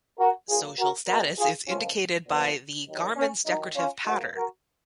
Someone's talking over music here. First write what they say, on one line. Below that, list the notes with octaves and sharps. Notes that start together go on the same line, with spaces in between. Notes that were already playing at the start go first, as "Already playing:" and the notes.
Social status is indicated by the garment's decorative pattern.
F#4 A#4
A#2 F#3 A#3 F4 G#4
F#4 A#4
B2 G#3 B3 F#4 A#4
F4 G#4
C#2 C#3 F3 A#3 C#4 F4
A#2 F3 B3
D#2 D#3 F#3
C#4
D#2 D#3 F#3 D#4
C#4 F4
G#2 F3 A#3 D#4 F#4
F#4 A#4